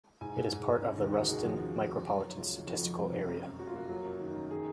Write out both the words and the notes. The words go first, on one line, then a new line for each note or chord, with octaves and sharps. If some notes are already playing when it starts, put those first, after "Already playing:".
It is part of the Ruston Micropolitan Statistical Area.
G#2 G#5
G#2
G#2
G#2
C#3
D#2
G#3 F#5
F#4
D#2 G#4
F3 F#4
C#3
F2
C#3 F#4
F#3 F#4
F#3
C#2 F4
D#3
F2 F#4
F3
C3
F1
F#2
F#2
F#2 F#4
F4
A#3 F#4
F#3
F#2
D#3
F#2
D#3 G#4